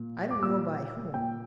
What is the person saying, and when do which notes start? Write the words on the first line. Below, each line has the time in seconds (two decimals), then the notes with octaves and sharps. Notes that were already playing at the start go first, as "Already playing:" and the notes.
I don't know by whom.
Already playing: A#2
0.31 D6
0.43 A#2 E6
1.14 A#2 G5